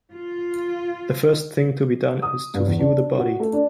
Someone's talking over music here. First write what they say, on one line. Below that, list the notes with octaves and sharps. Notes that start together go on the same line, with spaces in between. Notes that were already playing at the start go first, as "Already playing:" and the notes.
The first thing to be done is to view the body.
F4
D#6
G2
E2
D4
F#4
A3
D4